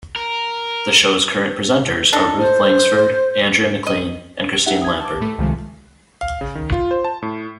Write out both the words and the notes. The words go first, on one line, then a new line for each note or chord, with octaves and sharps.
The show's current presenters are Ruth Langsford, Andrea McLean, and Christine Lampard.
A#4
D4 D#4 A4
C5
D#5
D#4 G4 E5 F#5 G5
D#6 G#6
A5 D6
A2 A3
C#2 C3 D#3 F3 G#3 A3
F5
C#3
D#3
F4
C5
A5
A2